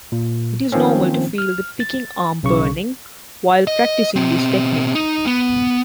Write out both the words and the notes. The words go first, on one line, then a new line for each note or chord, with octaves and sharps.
It is normal to feel the picking arm "burning" while practicing this technique.
A#2
D#3 F3 A#3 C4 C#4
F6
A6
B1 C#3 C#6
D#5
B2 C4
D#4
B3